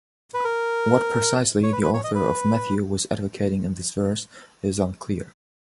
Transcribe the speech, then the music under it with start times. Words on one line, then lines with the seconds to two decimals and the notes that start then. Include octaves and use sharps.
What precisely the author of Matthew was advocating in this verse is unclear.
0.34 B4
0.45 A#4
1.63 C#5
1.72 B4
1.83 B4
1.94 C#5
2.04 D#5
2.15 B4